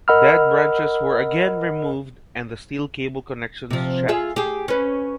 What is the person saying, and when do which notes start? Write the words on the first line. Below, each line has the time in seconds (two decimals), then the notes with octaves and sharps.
Dead branches were again removed and the steel cable connections checked.
0.08 A#4 D#5 F#5 B5 E6 F6
3.70 C3 F3
4.08 F4 G#4 E5
4.36 G4 G#4
4.68 C#4 B4